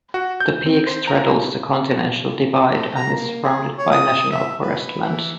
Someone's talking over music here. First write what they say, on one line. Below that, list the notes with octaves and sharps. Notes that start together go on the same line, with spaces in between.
The peak straddles the Continental Divide and is surrounded by National Forest lands.
F#4
G6
C4
C5
A#5
A3
A#5
A#3
G#4
C#5
D#6
E5
B4
E3